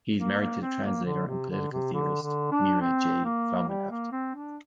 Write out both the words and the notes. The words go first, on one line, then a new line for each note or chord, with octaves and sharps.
He is married to the translator and political theorist Mera J. Flaumenhaft.
A#3
A#3
C4
A#3
D3
C3
D3
C3
D3
D3
D4
C4
A#3
G3
A#3
C4
D4